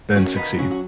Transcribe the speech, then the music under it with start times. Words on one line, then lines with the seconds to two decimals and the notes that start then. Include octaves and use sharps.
then succeed.
0.15 D#3 C#4 F#4
0.36 D#2 B3 D#4
0.57 F#3 C#4 F#4
0.71 F#4